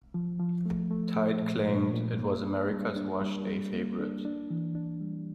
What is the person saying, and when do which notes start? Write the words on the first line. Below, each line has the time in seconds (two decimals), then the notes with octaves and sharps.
Tide claimed it was America's Washday Favorite.
0.14 F3
0.40 F3
0.66 A3
0.90 A3
1.16 A3
1.42 A#2
1.69 A#2
1.93 A#2
2.19 A#3
2.45 D4
2.70 G3
2.96 D4
3.21 G3
3.47 G3
3.73 A#3
3.99 D4
4.25 D4
4.50 E3
4.75 D4
5.01 G3